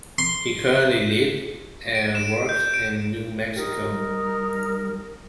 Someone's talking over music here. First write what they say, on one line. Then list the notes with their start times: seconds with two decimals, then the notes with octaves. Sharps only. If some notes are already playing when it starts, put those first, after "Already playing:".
He currently lives and works in New Mexico.
0.18 C6
1.95 D7
2.15 E7
2.49 G6
2.74 D7
3.56 D#4 G4 A#4
3.91 G3